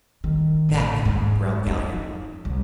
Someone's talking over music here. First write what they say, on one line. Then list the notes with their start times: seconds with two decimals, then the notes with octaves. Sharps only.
"Back!" growled Galliard.
0.24 D#3
0.69 A1
1.05 G#2
1.67 D#4
2.45 C2